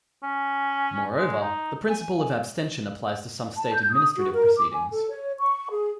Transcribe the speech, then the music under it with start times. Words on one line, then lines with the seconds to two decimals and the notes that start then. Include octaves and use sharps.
Moreover, the principle of abstention applies to some state administrative proceedings.
0.23 C#4
1.17 G#3
1.41 D#4
1.89 G#5
3.58 A5
3.74 G6
3.93 D#6
4.17 F#4
4.34 A#4
4.57 D6
4.72 G#5
4.92 A4
5.09 C#5
5.38 C#6
5.70 G#4